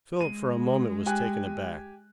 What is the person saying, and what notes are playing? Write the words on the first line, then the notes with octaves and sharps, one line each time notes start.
Philip for a moment was taken aback.
G#3 D#7
G4 G#5 F#6